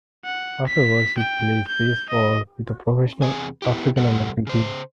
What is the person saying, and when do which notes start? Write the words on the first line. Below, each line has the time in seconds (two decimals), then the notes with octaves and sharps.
Afterward, he plays baseball with a professional African-American team.
0.25 F#5
0.67 B6
1.18 G5
1.68 G6
2.09 D#5
3.22 E2 C3 F3 G#4 G#5
3.62 B3 E4 G4
3.97 C3 G3 A4 F#5
4.47 C#3 C5